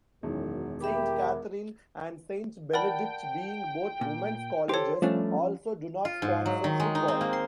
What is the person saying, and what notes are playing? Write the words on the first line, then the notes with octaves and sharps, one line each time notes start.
Saint Catherine and Saint Benedict, being both women's colleges, also do not sponsor football.
E1 F#2 D#3 E4
G4 A#4 E5 B5 D6
A#4 D5 F#5 G5 A5 B5
A#2
G4 A4 C5 C#5 C6
F3 G3 A3 C#4 D4
F4
G#2
F#3
D#3
G#3
D#4
C4
A#3
C6